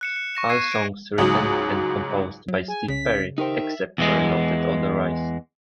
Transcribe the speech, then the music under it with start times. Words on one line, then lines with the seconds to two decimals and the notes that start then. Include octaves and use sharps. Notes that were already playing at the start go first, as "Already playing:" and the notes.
All songs written and composed by Steve Perry, except where noted otherwise.
0.01 F#6 C#7 E7
0.16 C#7
0.35 C#6 A#6 E7
0.49 C#6 F#6 G#6 C7 D#7
0.72 G#6 D7
1.18 C#2 G#2 F#3 D#6
2.48 F#3
2.68 G#4 G#5
2.88 C2 C#3 C#4 B6
3.38 D#4 G4 A#4 C5 E5 G5
3.98 E2 E3 G#3